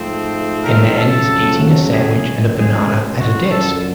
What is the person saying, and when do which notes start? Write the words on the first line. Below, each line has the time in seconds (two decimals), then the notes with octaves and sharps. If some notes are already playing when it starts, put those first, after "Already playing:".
A man is eating a sandwich and a banana at a desk.
Already playing: G#2 F3 A3 C4
0.62 A#4
0.94 F2 C#3 F#3 A3 A4
1.90 G#4
2.22 C#2 B2 G#3 C4
2.54 G#4
3.17 F#4
3.49 F#2 D3 F3 A4